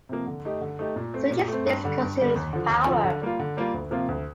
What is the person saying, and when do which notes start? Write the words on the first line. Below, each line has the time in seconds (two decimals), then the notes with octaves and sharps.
Switching states consumes power.
0.09 C3 F3 A#3
0.27 D3
0.45 A3 D#4 G4
0.61 D3
0.79 A3 D#4 G4
0.96 A#2
1.14 A3 C4
1.31 A#2
1.48 A3 C4
1.66 G2
1.84 D3 G3
2.01 G2
2.18 D3 G3
2.36 D#2
2.53 D3 F3
2.69 D#2
2.86 D3 F3
3.04 D3
3.21 G3 A#3 F4
3.39 D3
3.57 G3 A#3 F4
3.74 D2
3.91 C3 F3 A#3 F4
4.08 D2